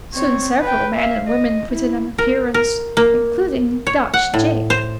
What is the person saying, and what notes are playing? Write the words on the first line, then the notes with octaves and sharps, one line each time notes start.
Soon several men and women put in an appearance, including Dutch Jake.
C4 C#5
B4 G5
E5 F5
D#5
E4
A#4
A#4
A#3
C#5
F#5
A2
C5